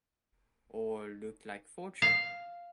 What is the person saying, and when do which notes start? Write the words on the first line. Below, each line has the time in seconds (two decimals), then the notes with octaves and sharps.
Or looked like fortune.
2.02 F5